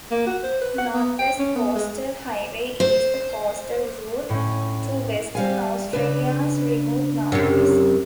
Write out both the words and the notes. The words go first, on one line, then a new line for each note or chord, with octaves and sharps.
North West Coastal Highway is the coastal route through Western Australia's remote north-west.
A#3
F#4
C5
B4
F#5
B3
G5
C#4
B3
G#3
C5
A2 C#4
G3 F5 G#5
C#3 D4 B4
F#2 C3